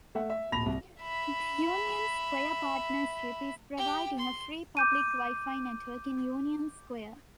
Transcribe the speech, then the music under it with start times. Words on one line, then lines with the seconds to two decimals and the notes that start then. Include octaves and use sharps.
The Union Square Partnership is providing a free public Wi-Fi network in Union Square.
0.15 A3 E5 F#5
0.30 E5
0.52 D1 A#1 A5 B5 A#6 F7
0.66 C2
1.02 E5 B5
3.77 G4 G5
4.18 C6
4.77 D6 G6 D#7